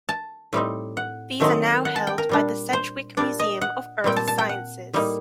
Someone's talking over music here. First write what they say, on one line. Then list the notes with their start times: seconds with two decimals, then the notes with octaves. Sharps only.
These are now held by the Sedgwick Museum of Earth Sciences.
0.09 A5
0.53 A2 G3 C4 D#4
0.97 F#5
1.40 D#3 F#3 A3 C4 D#4
1.85 F#5
1.96 A5
2.07 G5
2.18 A#4
2.29 A#2 G3 D4
2.73 C5
3.17 A#2 G3 D4 D5
3.39 D#5
3.61 F#5
4.04 A#2 G3 C4 G5
4.16 A5
4.27 A5
4.38 G5
4.49 F#5
4.93 A2 G3 A#3 D#4